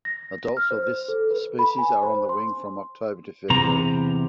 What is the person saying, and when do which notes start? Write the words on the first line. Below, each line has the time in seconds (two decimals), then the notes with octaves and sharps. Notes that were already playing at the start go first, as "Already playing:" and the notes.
Adults of this species are on the wing from October to February.
0.05 A#6
0.57 F6
0.71 C5
1.08 A4
1.31 B4
1.59 B5
1.78 G#5
2.03 C5
2.29 C6
3.50 E2 C3 A#5